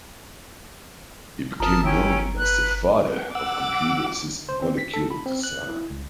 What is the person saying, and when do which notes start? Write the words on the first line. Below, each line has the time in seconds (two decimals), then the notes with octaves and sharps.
He became known as the 'father of computer-assisted molecule design.
1.60 G1 A5 A#5 D#6 F6
1.83 C#4 E4 G5
2.37 B4 F#6
3.35 F#5 D6 E6
4.49 C5
4.62 C4
4.78 B6
4.94 A4
5.11 B5
5.26 C4
5.43 F#6
5.68 E4
5.90 C#2